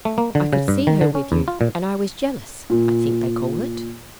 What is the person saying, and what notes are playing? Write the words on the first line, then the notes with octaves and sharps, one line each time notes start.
I could see her with you, and I was jealous--I think they call it.
A3
A#3
D3
C#3
G2
D#3
D3
C#4
E2
F4
A#2
A#2